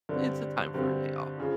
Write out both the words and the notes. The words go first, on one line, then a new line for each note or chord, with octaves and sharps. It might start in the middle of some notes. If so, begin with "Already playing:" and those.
it's a time for a day off",
G2 D3 G3 C4
G2 D3 G3 C4
C#3 F3